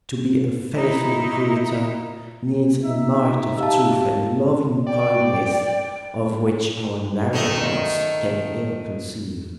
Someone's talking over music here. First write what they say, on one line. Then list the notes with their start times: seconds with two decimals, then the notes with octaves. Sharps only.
To be a faithful creator needs a might of truth and loving-kindness of which our narrow hearts can ill conceive.
0.72 D#4 E4
2.84 D#4 E5
3.58 G4 F5 A5
4.87 D5 G5
7.33 D#3 A3 D#5